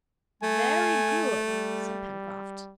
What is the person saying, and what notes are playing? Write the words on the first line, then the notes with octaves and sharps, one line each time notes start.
"Very good," said Pencroft.
A3 G#5
G3